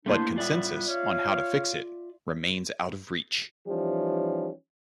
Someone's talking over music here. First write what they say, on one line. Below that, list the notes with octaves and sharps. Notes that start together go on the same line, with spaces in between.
But consensus on how to fix it remains out of reach.
A3 A#3 D4 E4 C5
A2 G3 B3 F4 D5 E5
C#5 F5
E3 F3 G3 C#4 D#4 G4